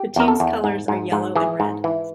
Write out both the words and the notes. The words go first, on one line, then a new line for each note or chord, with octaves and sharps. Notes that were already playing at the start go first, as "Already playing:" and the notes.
The team's colors are yellow and red.
Already playing: G4
E2 A#4
A4
E2
G#2
G#2
G#2
E3 G#4
G#2
E3